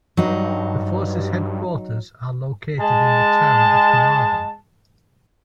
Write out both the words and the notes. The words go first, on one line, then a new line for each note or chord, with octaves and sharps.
The force's headquarters are located in the town of Carmarthen.
G2 F#3 D#4
G#3 A5